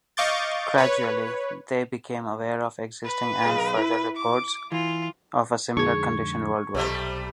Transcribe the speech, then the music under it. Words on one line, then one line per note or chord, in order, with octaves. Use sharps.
Gradually, they became aware of existing and further reports of a similar condition worldwide.
D#5 F5 C#6 D6 G6 A6
B4 C#5
B4
B1 G#4 F5
E4
D6
E3 F4
F2 D3 G#3 D#4 G#4 C#6 G#6
B1 C3 G3 A3